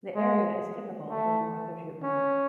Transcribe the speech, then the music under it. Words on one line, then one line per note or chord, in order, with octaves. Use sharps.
The area is typical for the north of Jutland.
G#3
A3
C#4